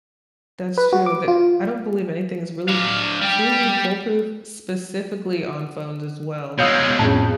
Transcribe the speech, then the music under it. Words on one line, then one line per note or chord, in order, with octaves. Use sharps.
That's true, they're I don't believe anything is really t truly foolproof, specifically on phones as well.
B4
F#4
D6
F4
D4 F5
G3 G4
B2 G#3 C#5 F5 D#6 E6 G6
F2 A2 C#3 A5